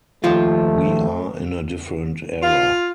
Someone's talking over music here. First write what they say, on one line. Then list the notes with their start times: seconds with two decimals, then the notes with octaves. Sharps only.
We are in a different era.
0.24 D#2 F3 A3 F4
2.43 F4